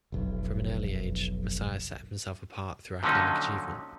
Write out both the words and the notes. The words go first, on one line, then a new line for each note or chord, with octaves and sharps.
From an early age Masire set himself apart through academic achievement.
F1 B1
A#2 D3 F3 F#3 C#4 D#4